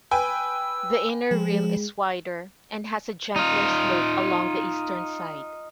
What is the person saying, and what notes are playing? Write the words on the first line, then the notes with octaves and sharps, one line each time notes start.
The inner rim is wider and has a gentler slope along the eastern side.
B4 G5 G#5 E6
F3 G#3
D#4 F4